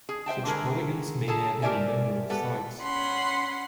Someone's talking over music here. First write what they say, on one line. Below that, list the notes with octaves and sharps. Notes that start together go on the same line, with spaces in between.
Such polygons may have any number of sides.
G#4
C5 E5 G5 A5
D3 G#3 A3 G#4 A#4
G#4 A4 A5 A#5
G4 A#4 C5 D5 E5 G#5
B3 G4 A4 B4
C#4 F#5 B5 C6